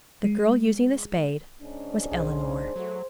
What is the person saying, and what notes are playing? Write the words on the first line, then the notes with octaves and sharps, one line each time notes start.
The girl using the spade was Eleanor.
G#3
G#2 C#4 D4
B1 G#4 C5
F#3 A3 F#4